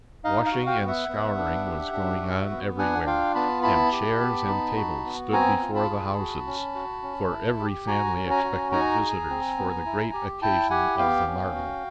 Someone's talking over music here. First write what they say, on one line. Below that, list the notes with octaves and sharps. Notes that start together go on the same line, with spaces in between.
Washing and scouring was going on everywhere, and chairs and tables stood before the houses,--for every family expected visitors for the great occasion of the morrow.
D#4 D#5 F5
D#5 F5
F#4
F5 G5
B3
E5 F#5
B3
D4
G4
D4
F#4
B3
D4 F#5 G#5
F4 F5 G5
B3 A5 B5
E4 A5 B5
G4
B3
D#4
F#4
B3
C4 G#5 A#5
F4
A5 B5
G#4
F#4
C#4
F#4
C#4
E4
G4
F#4 G#5 A#5
C#4
G#5 A#5
F#4
D#4 G#5 A#5
G#4
C4
B3
E4
G4
E4 G5 A5
G4 F#5 G#5
B3 F5 G5
C#4
F#4